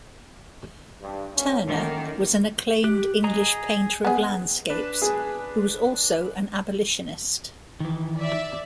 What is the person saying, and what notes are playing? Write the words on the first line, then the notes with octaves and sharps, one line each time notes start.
Turner was an acclaimed English painter of landscapes who was also an abolitionist.
G2
D2 C#4
F#2 A2 D#3 A#3
G4 F#6
G#4 D#5 A#5
B3 G#4
D4 B4 E7
G#4
D#3 E3
D5 E5